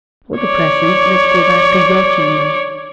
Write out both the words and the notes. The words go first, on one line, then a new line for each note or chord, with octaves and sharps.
For the present let's go back to your chambers.
C#5 D5